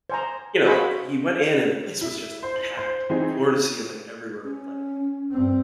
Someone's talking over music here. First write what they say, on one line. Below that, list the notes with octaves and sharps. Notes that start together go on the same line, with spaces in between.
You know, he he went in, and the place was just, like, packed, like, floor to ceiling everywhere with, like,
C5 G#5 A#5
F#4 G#4 C5 D#5 F5 B5
E4
C5
F#7
C5
E3 C4 D#4 G#4
C#4
G2 C4